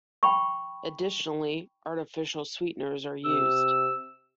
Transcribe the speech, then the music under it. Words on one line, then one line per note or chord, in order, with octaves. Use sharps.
Additionally, artificial sweeteners are used.
G5 B5 C#6
C3 E6